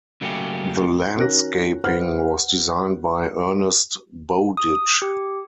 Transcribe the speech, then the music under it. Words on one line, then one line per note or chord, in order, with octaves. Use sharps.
The landscaping was designed by Ernest Bowditch.
C#3 F#3 A3 A#3 C#4 G4
D#3 C#4 F#4 A#4 F#6 A#6
B4 C5 F#5 F6
D#6
G4